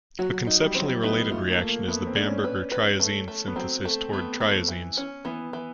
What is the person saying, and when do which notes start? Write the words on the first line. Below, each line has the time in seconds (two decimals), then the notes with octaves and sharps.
A conceptually related reaction is the Bamberger triazine synthesis towards triazines.
0.19 F#3 F#4
0.33 F#3
0.47 D#4
0.61 G3
0.75 F#3 C4
0.89 F#3
1.03 B3 D#4
1.31 A3 F4
1.50 A#3
1.59 A3
1.69 A#3
1.88 A3 B3
2.07 C4
2.15 D4
2.26 C#4
2.44 B4
2.72 B4
3.00 A3
3.28 A3
3.48 B3
3.56 F#3 C4
3.85 A3
4.12 A3 B3
4.40 A3
4.68 E3
4.97 C#4
5.25 E3 B3
5.53 E3